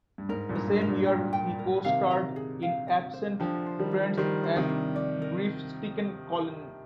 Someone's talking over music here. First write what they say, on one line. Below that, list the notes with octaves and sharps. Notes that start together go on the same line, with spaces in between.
The same year he co-starred in Absent Friends as grief-stricken Colin.
G2
G#2 A#4
G2 A#2
A#4
G2
A#4
A#2 D3
G5
G5
A#4
C3 D#3 F5
A#5
G#4
F5
F5
C5
D3 F3 G4
C5
D#3 G3
D4
D#3 G3 C5
C5
C3 D#3
D4
D5
A#4